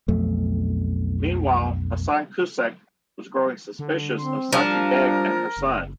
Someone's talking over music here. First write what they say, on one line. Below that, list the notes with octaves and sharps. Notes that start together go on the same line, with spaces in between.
Meanwhile, Hasan Kucek was growing suspicious of Sati Beg and her son.
B1 F2 A3
D3
C4 C6
F3 G3 D4 A#4
F#1